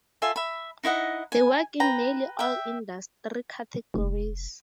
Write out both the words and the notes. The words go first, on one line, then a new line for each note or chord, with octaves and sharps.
They work in nearly all industry categories.
F4 A4 E5 G#5
E5 B5
D#4 E4 D#5 F#5
G#5
B4 G5 A#5
E5 G5
F1